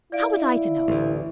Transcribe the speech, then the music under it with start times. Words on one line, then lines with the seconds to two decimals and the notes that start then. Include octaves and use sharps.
How was I to know?
0.12 E4 D5 F5 D7
0.88 A1 D2